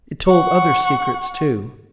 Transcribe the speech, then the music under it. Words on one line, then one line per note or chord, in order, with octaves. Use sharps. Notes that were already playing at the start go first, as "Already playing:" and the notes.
It told other secrets too.
F#5 C#6